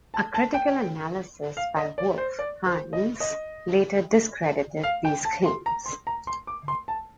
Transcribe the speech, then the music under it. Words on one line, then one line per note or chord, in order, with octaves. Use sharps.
A critical analysis by Wulff Heintz later discredited these claims.
A5
A5
G5
F5
D#5
D5
C5
D5
C5
D#5
D#5
F5
G5
A5
C6
A#5
C6
A#5
C6
D6
C6
A5